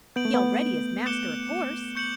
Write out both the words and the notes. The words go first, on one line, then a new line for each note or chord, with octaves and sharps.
He already is master of horse.
B3 G6 D7 F#7
A3
B3
D6 F#6 C#7 E7 G7
C#6 G6 C#7 F#7